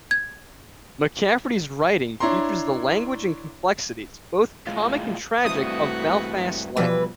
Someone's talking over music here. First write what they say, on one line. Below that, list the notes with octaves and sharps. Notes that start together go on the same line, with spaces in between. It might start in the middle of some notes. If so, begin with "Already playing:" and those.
McCafferty's writing features the language and complexities, both comic and tragic, of Belfast life.
G#6
D4 E4 C#5 A#5 C6
A2 G#3 F4
G2 A3 C4 E4 F#4 B4 D#6
B2 E3 F3 G3 B4